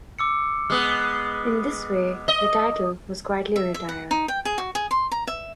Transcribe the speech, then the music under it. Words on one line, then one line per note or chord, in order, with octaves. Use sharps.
In this way, the title was quietly retired.
D6 E6 C#7
G#3 B3 D#6 F6
D#5
E5
E5
F#5
D#4
G5
G#4
F#4
G#4
C6
A#5
E5